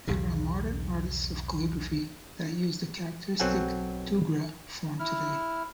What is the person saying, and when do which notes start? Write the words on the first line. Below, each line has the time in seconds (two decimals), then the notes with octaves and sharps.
There are modern artists of calligraphy that use the characteristic tughra form today.
0.07 B1 E2 G#2 C#3
3.39 B1 F#3 C4 A4 F#5 G#5
5.00 E4 F6